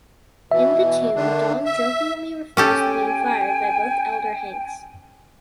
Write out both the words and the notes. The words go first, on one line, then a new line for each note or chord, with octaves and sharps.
In the tune Don jokingly refers to being fired by both elder Hanks.
B2 E3 E5
D3 D#3 D4
E5
C#4 G4 A4 G5 G#5